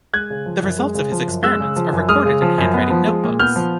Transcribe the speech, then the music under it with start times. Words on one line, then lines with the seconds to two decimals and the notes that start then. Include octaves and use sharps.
The results of his experiments are recorded in handwriting notebooks.
0.13 G#3 F#6 G#6
0.30 C#3
0.46 F3
0.63 F#2
0.79 G#3
0.95 C#3
1.12 F3
1.27 F#2
1.44 G#3 E6 F#6
1.60 C#3
1.76 F3
1.93 F#2
2.09 G#3 D#6 F6
2.25 C#3
2.42 F3
2.58 F#2
2.74 B3
2.90 F3
3.06 G#3
3.24 A#2
3.39 B3 F6 G6
3.56 F3